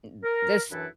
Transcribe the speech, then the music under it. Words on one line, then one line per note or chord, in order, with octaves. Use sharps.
and this
A#4
F#2 E3 D4 E4 A4 B4